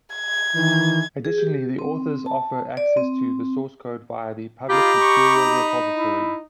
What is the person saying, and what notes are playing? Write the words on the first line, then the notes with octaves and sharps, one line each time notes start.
Additionally, the author offers access to the source code via a public Mercurial repository.
G#6
D#3 E3
G#4
G4
C4
A5
D5
C4
F4 G4 D#5 A#5 B5
C#6
D#4
E4